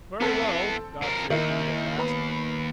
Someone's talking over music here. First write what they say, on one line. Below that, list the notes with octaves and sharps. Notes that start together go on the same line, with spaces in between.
"Very well," Godfrey agreed, at last.
E2 B3 C4 A4
F2 A#4
D#2 D#3 D#4 E4
B3 B5